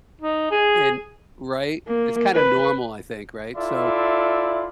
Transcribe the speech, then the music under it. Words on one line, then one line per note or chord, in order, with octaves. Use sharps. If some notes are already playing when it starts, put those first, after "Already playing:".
and, right? It's, kinda, normal, I think, right? So,
D#4
G#4
A#3
B4
E4 F4 A4 D5 E5 C6